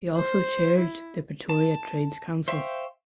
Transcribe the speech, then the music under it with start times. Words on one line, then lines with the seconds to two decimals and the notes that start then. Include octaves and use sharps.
He also chaired the Pretoria Trades Council.
0.17 C5
0.79 E4
1.49 A5
2.48 C5 E5 F5 G5 C#6